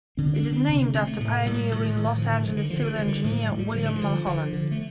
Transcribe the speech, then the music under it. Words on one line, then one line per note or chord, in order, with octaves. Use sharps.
It is named after pioneering Los Angeles civil engineer William Mulholland.
D3 C4
D4
D3
C4
C3 C4
D4
C3 C4
A3
A2 A3
A2 G3
A2 D#3
D#3
A2
D#3
D3 F3
D#3
D3 F3
D#3
D3 F3
D#3
D3 F3
D#3
A2 F3
G3
A2
G3
D3 F3
D#3
F3
D3
D3 F3
D3
A3